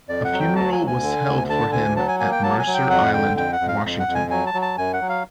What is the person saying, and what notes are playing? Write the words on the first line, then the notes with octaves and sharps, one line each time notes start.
A funeral was held for him at Mercer Island, Washington.
F2 D5
F#5
F#3
G5
D2 A5
G#5
D2
G#5
D3
D2
D3 A5
D2 G#5
F#3 A5
G#5
A#3 G#5
G5
F#3 A5
G#5
F#3
G5
F2 F#5
D3 G5
F2 G5
F#5
F2
F5
F2
F#5
F2
G#5
F#3 G#5
A5
F#3
A5
F#2 G#5
F#5
F#3
F5